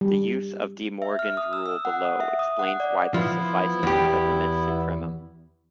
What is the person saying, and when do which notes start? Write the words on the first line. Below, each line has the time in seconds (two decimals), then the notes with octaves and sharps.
The use of DeMorgan's rule below explains why this suffices for the limit supremum.
0.01 G3
1.02 E5
1.19 F6
1.37 D#6
1.53 E6
1.66 E6
1.85 F#5
2.05 D#6
2.20 E5
2.39 D#6
2.59 F#5
2.80 D5
3.14 F3 B3 E4
3.83 E2 G4